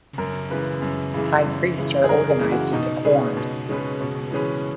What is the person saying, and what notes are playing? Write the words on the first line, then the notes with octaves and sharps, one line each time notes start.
High priests are organized into quorums.
F#2 A#4
C#3 E3 G#3 B4
F#2
C#3 E3 G#3
F#2
C#3 E3 G#3
G#4
F#2 A#4
G#4
C#3 E3 G#3
F#4
B2 D#4
G#3 C#4 G#4 B4
B2
G#3 C#4 G#4 B4
B2 C#4
E3 G#3 C#4 G#4 B4